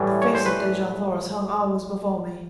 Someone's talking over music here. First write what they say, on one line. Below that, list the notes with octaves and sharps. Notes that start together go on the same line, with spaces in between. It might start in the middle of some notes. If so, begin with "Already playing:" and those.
The face of Dejah Thoris hung always before me.
Already playing: A2 E3 G3
C#5
C5
B4